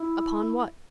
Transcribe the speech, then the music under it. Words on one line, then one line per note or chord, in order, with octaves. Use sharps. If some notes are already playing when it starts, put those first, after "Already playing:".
"Upon what?"
Already playing: E4